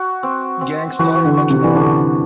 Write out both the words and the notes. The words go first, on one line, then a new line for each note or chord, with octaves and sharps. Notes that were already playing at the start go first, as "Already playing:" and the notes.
Gang Starr and much more.
Already playing: F#4
C4
C4
E3 F#4
D3
F#4
C3
E3
D3 D4